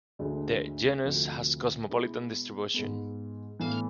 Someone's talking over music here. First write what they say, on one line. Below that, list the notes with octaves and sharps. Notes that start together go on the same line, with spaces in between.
The genus has cosmopolitan distribution.
D2 D3 G#3 D4
D2 C3 F3
B2 G#3 B3 E4
G#2 G#3 B3
A2 E3 B3